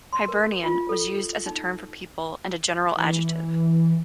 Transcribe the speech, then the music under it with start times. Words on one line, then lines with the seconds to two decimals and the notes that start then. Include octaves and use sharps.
"Hibernian" was used as a term for people, and a general adjective.
0.13 C6
0.28 A#4
0.64 F4
0.89 A4
1.46 D#4
2.97 E3